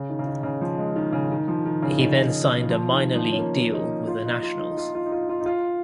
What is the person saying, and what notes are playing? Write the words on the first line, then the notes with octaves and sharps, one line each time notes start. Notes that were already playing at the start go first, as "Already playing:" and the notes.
He then signed a minor league deal with the Nationals.
Already playing: C#3
D#3
C#3
D#3
C#3
F3
G#3
D#3
C#3
D#3
F3
D#3
C#3
D#3
F3
D#3
F3
C#4
A#3
D#4
F4
D#4
F4
D#4
D#4
F4
F4
D#4
F4
F4
D#4
F4